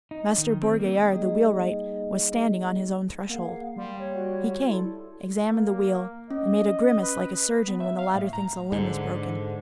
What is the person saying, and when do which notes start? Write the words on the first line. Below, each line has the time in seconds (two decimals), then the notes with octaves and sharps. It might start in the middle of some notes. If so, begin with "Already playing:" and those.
Master Bourgaillard, the wheelwright, was standing on his own threshold. He came, examined the wheel and made a grimace like a surgeon when the latter thinks a limb is broken.
0.11 D#4
0.38 D#3
0.62 C4
0.80 A#3
1.10 G3 A#3 D#4 G#4 D#5
3.29 A#3 G#4 F5 F#5
3.77 G3 F5 C6
3.98 C#5
4.15 F#4
4.68 E4 A4 C6
5.52 A#3
6.30 C#4 D#5
7.02 B4
7.68 B3
7.80 E5
7.99 F5
8.15 A2
8.33 A#5
8.72 G#2 D3